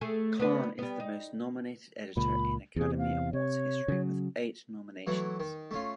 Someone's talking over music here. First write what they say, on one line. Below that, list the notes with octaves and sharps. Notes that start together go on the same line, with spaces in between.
Kahn is the most-nominated editor in Academy Awards history with eight nominations.
A3 G#4
B3 D4 B4
G3 B3
D#4
C#2 A#2 B5
E2 C3 G#4
F5
C3 C#5
C#3 F#3
E3 F#3 A3 F#5
D#3
A3 C#4 F4